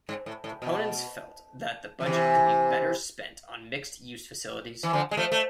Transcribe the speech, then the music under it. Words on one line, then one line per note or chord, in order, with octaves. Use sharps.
Opponents felt that the budget could be better spent on mixed-use facilities.
G#2
A2
A2
B2
F3
C3 E3
E3
D3 F3
G#3
F3 A3
A3